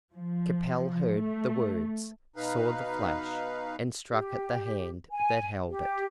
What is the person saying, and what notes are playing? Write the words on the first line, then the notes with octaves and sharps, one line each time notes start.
Capel heard the words, saw the flash, and struck at the hand that held it.
F3
A3
B2 D#4 B4 F5
G4
G#5
G4